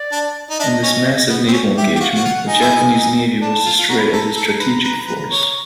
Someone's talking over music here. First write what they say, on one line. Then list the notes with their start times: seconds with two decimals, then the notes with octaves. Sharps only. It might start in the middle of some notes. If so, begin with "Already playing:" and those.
In this massive naval engagement, the Japanese Navy was destroyed as a strategic force.
Already playing: D5
0.12 D4
0.50 D#4
0.59 D4 E5
0.63 D#5
0.83 C#4
1.29 B3
1.48 C4
1.53 C#4
1.77 G4 E5
1.96 G4
2.00 F#4 F5
2.15 F#4
2.24 F4 F#5
2.47 D#4 G#5
2.61 E4
2.75 D#4
2.94 D#4
3.41 D4 A5
3.66 F4
3.78 F4
3.89 F#4 A#5
3.99 B5
4.10 B5
4.13 A4 A#5
4.36 A4
4.60 B4
4.83 B4
5.07 B4
5.30 C#5